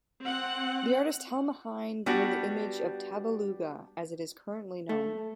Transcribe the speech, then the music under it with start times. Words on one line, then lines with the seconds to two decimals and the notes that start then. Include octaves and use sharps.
The artist Helme Heine drew the image of Tabaluga as it is currently known.
0.25 C4 F#5
2.06 G3 B3 D4 F#4
4.89 A3